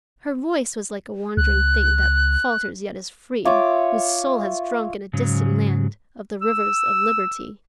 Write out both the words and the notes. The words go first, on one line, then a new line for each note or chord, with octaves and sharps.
Her voice was like a wandering thing That falters yet is free, Whose soul has drunk in a distant land Of the rivers of liberty.
C#2 F#6
F4 C#5 E5 D6
G#2 C#3 F#3
E6